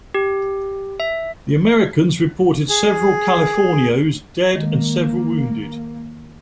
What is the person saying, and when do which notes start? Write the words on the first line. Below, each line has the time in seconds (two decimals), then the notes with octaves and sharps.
The Americans reported several Californios dead and several wounded.
0.14 G4
1.00 E5
2.70 G#4
4.55 D#3 G#3 A#3